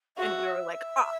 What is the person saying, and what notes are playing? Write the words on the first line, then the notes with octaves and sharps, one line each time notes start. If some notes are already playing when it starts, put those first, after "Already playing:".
And we were like, "Ah."
F#4 E5